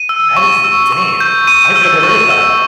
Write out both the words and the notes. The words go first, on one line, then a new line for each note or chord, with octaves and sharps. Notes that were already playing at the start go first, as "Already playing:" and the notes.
That is insane. I've never heard of that.
Already playing: D#7
E6
C#6
E6
C#6
G6
C#6 D#7
E6
C#6
E6